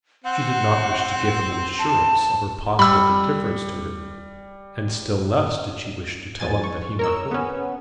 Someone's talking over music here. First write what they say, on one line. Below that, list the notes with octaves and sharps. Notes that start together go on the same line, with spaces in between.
She did not wish to give him an assurance of her positive indifference to him--and still less did she wish to tell him that he might hope.
C4 F#5
A5
G3 B5 E6
E2 F3 G#5 A6
C#6
A#4 C#5 E6
B3 C#4